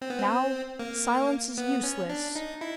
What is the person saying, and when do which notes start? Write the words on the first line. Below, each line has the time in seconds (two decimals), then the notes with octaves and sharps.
Now silence is useless.
0.02 C4
0.10 B3
0.18 C4
0.79 A#3
1.58 B3
1.83 C#4
2.10 D4
2.35 D#4
2.61 E4